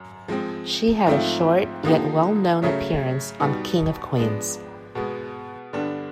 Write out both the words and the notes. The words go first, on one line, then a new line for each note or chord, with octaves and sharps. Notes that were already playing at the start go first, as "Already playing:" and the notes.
She had a short yet well known appearance on King of Queens.
Already playing: F#2 F#3
F3 G#3 C4
G#2 F3 A3 C4 F4
D3 F3 A#3 D#4 G4
C#3 F#3 A3 C#4
B2 G3 B3 D#4
F3 G#3 B3 D4
B2 G#3 B3
G2 D3 G3 B3 D4